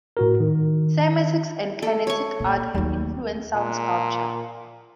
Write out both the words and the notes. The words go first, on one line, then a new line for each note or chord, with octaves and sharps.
Cymatics and kinetic art have influenced sound sculpture.
A2 F#4 A#4
D#3
A4
C#5 C#6
A#2
D#2 F#3
A#2